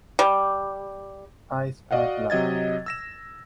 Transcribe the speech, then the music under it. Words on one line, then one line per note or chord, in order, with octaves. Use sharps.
Eyes are black.
G3
F#4 D5 D#5 F5 F#5
C3 F#3 D#5 G#6 A6
E6 A#6 E7